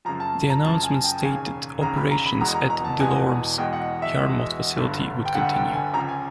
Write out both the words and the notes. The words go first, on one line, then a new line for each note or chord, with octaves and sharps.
The announcement stated operations at DeLorme's Yarmouth facility would continue.
F#2 C#3 F3 A#5
A5
A#5
F#2 C#3 F3 A5
G#5
G5
E1 D#2 C#3 G#5
E1 D#2 C#3 A#5
B5
A#5
B5
E1 E2 B2 G#3 A#5
A#5
A#5
A5
E1 E2 B2 G#3 G#5
E2 B2 G#3 G5
F#5
E5
E2 B2 G#3
G1 G2 D3
G5
G1 G2 D3 F#5
G5
G#5
C#2 C#3 F3 A#5
G#5